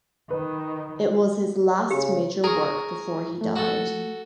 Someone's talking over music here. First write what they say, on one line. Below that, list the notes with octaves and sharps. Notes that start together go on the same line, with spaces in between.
It was his last major work before he died.
D#3 B4
C#3 G4
G#4 A#4 A#5 C#6
F3 A3
F#4 A4